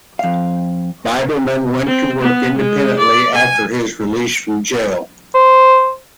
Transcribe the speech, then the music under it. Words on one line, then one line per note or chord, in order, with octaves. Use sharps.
Biberman went to work independently after his release from jail.
F2 F5
C4
B3
G#3
D5
G#5
C5